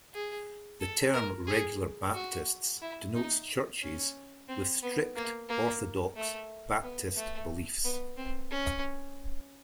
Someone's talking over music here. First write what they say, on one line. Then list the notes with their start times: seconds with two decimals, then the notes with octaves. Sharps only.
The term Regular Baptists denotes churches with strict, orthodox Baptist beliefs.
0.14 G#4
0.81 A4
1.14 A#4
1.47 G#4
2.14 F#4
2.82 E4
3.15 D#4
3.82 C#4
4.48 C4
4.82 B3
5.16 A#3
5.49 A#3
6.16 A3
6.83 B3
7.17 A3
7.84 B3
8.17 C4
8.50 C#4